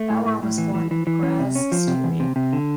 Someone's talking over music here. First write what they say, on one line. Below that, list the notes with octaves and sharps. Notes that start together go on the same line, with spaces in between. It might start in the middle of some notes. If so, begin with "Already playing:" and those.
Bauer was born in Graz, Styria.
Already playing: A3
A2
A2
A2
E3
E3
E3
E3
C#4
C3
C#4
F3
C3
E2
C3
C3
D3